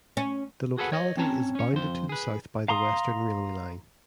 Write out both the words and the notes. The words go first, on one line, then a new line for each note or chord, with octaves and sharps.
The locality is bounded to the south by the Western railway line.
C#4
F#4 G#4 A4 B4 F#5
C#5 D#5
C4 C#4 C#5 A5 A#5
C#4 C#5
F2 C5
G#4 B4
F5 A#5 C6 D#6